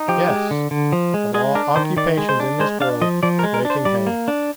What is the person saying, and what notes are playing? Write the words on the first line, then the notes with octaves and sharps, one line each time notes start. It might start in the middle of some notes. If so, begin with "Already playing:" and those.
Yes, of all occupations in this world, making hay!
Already playing: D#4
F3 G4
G#3
D3
D3
F3
G#3
G#3 G#4
D4 A#4
D#3 C5
D#3 D5
G#3
C5
D4
G#3 C5
D4 F5
F3 D#5
F3 D5
A#4
G#3
A#4
D4
C5
G3 D5
A#3
D4